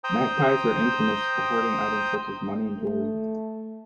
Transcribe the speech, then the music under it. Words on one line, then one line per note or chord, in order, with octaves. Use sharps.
Magpies are infamous for hoarding items such as money and jewelry.
C5 G5 A#5 D#6
A3